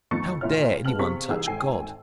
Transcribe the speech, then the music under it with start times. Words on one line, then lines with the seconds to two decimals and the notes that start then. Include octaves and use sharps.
How dare any one touch God?
0.11 F2 D#3 A3 C#6 A6 C#7
0.41 F1 A#2 E4 C#5 F6
0.85 G#3 B3 A5 F6 F#7
0.99 C3 C4 G#4 F5 C#6 B6
1.29 C2 E3 D#4 G4 G#4 E6
1.47 G#1 A4 G5 G#5 C7